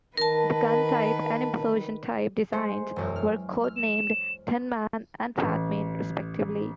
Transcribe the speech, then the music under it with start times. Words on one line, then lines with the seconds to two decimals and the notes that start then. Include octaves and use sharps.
The gun-type and implosion-type designs were codenamed "Thin Man" and "Fat Man" respectively.
0.17 D#3 A#4 B4 A5
2.52 G#3 C5 C#7
2.96 E1 F#2
3.16 F6
3.64 F6
3.76 E7
5.42 A1